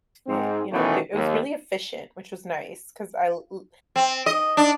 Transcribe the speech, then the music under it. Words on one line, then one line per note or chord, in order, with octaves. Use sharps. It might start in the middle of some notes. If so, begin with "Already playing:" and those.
it, you know, d it was really efficient, which was nice 'cause I l l
G#2 C4
B2 D#3 E3 A3 B3 C#4
D#2
C4
D#5
D4